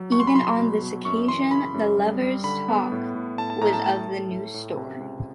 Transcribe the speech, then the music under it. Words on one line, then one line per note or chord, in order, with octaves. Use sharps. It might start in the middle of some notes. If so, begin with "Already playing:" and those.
Even on this occasion the lovers' talk was of the new store.
Already playing: F#3
C2 C#6
C6
B5
F#3 C6
B2
B2
F#2 C#6
E3 C6
C#3 B5
F#2
G3
G3
D3 B5
B3
A2
A2
A2 A5
A5
A2 A#5
A5
A3 A5
A2
A2
A2
C3
C#2